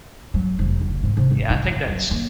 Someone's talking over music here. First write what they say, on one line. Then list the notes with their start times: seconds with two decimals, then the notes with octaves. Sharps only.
Yeah, I think that's
0.34 F#3
0.59 F1
0.81 C#2
1.03 G#2
1.17 C3
1.31 G#1
1.50 E4
1.64 F#1
1.89 F#3
2.11 A#3